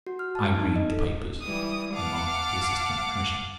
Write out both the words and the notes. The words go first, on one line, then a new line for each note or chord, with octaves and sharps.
"I read the papers," remarked the Assistant Commissioner.
F#4
F6
A5
D#4
D#5
A4
E3 G3 D#6
F5 F#5 A5 D6 F6